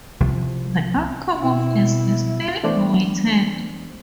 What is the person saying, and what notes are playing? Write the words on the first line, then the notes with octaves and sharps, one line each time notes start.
The outcome of this is still awaited.
C2 F3
B2 E4
E3 A3 B3 D4 C5 D5